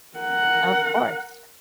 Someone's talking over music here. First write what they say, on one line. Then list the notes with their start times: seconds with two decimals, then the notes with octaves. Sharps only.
Of course.
0.18 A#4 F#5